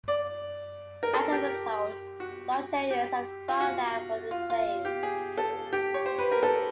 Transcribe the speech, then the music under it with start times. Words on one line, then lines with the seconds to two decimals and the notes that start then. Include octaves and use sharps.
As a result, large areas of dry land were reclaimed.
0.08 D5
1.03 A#4
1.13 A4
1.32 G4
2.20 F#4
2.90 G4
3.48 F4
3.60 F#4
4.31 F4
4.50 F4
4.85 G4
5.03 G#4
5.38 A4
5.73 G4
5.94 C#5
6.06 C5
6.19 B4
6.32 A#4
6.43 A4